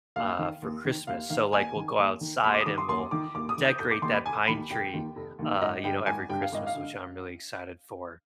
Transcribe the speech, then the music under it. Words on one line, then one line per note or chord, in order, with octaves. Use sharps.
uh, for Christmas, so like we'll go outside and we'll decorate that pine tree, uh, you know, every Christmas, which I'm really excited for,
D#2 F5
D#3
D#2
D#3
D#2 F5
D#3 F5
D#2 G#5
D#3
D#2
D#3
D#2 B5
C6
D6
D#6
D#3 D6
C6
D#2 C6
D#3 D6
D#2 D6
D#6
D#3
G6
F1 G6
D6
D#2 D#3 C6
B5
F1 G#5
D#2 D#3 B5
F1 G5
D#2 D#3
F1
D#2 D#3
G#1 D#5
G2 D3 G5
G#1 G#5
G2 D3 G5
F5
G#1 D#5
F5
D3